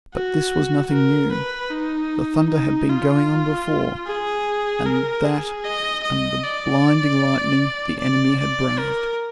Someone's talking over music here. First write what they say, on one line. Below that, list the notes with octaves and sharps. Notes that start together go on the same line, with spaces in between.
But this was nothing new: the thunder had been going on before, and that and the blinding lightning the enemy had braved.
F#4
A#4
B4
D#4
D#4
F4
G#4
A#4
G#4
D#5
D#5
D5
D5
D5
A#4